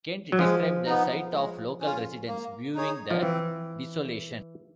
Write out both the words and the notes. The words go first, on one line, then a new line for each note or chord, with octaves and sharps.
Kent described the sight of local residents viewing the desolation.
F#3
F3 G#3
B3 D#4
G#3
C#4
F4
A#3
D#4 G#4 C#5
F3
E3 C4